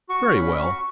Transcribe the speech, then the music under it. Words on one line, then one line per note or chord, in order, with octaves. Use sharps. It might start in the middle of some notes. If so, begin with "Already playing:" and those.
"Very well."
F#4 C#6
C#4
B5
F#4
F#4 C#6